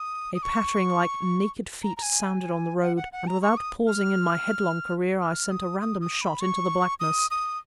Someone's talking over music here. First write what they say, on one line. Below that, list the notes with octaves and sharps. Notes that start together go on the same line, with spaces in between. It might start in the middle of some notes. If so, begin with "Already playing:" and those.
A pattering like naked feet sounded on the road, and, without pausing in my headlong career, I sent a random shot into the blackness.
Already playing: D#6
D#6
C#6
A#5
A#5
G#5
F#5
F#5
F#5
A#5
C#6
D#6
F6
F6
D#6
D#6
D#6
B5
C#6
D#6
D#6